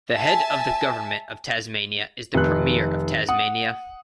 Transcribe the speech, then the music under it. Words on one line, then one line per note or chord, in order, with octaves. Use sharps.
The head of the Government of Tasmania is the Premier of Tasmania.
E5 G#5 A5
F1 D#3 F#6
F#5 D#6